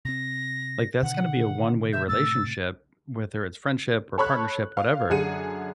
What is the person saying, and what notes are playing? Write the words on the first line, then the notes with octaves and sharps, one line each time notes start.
like, that's gonna be a one-way relationship, whether it's friendship or partnership, whatever,
C3 C4 A#6
B2 D3 D#3 F#5
E5 G6
A2 C3 A3 E6 A6
A4 C#5 B5 C#6 F#6
F5
F#2 D3 G#4 C#7 D#7